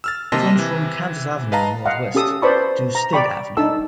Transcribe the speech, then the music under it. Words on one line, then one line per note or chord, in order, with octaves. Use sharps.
It runs from Kansas Avenue northwest to State Avenue.
E6 F6 A6
C3 A#3 D#5 A5 C6 A#6
C3 E3
B4 D#5 F5 A5 A#5
D#5 F5 F#5
C#4 G4 A4 D#6 E6
B4 C5 D5 A5 B5 C#6
A#5
D5 G5 B5 C#6
D4 D#4 A4 A5 E6